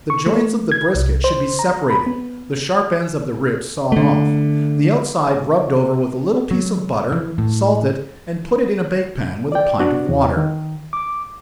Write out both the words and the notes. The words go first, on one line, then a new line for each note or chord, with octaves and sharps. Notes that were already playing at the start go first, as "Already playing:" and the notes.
The joints of the brisket should be separated, the sharp ends of the ribs sawed off, the outside rubbed over with a little piece of butter--salt it, and put it in a bake pan, with a pint of water.
C#6
A3
G#6
C2
C5
A#5
B5
B3
D3 A3
F#3
E3
A2
D5 G5
B3 D4 F#4
E2
D#3
D6